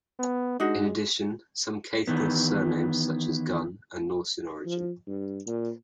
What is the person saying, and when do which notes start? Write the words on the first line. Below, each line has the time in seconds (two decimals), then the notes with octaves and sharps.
In addition, some Caithness surnames, such as Gunn, are Norse in origin.
0.19 B3
0.60 G#3 D4 D#4 F#4
2.07 D#3 E3 B3
4.66 F3
5.08 G2
5.47 A#2